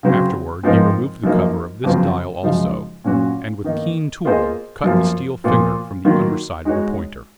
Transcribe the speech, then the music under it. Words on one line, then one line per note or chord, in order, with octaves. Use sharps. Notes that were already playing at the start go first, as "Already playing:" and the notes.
Afterward he removed the cover of this dial also, and with keen tool cut the steel finger from the under side of the pointer.
C#3 F#3 C4 F#4
G#2 F3 C4 D#4 A#4
F#2 F3 A#3 D#4
F2 C#3 F#3 C4 F4
F#2 C#3 F3 G#3 D#4
A#2 F#3 C#4 F#4 C#5
D#3 A#3 D#4
A#3 F4 G#4 C5 D#5
F#2 F3 A#3
A#2 F3 A#3 F4
D#3 F#3 A#3 F4
G#3 D#4 F#4 C#5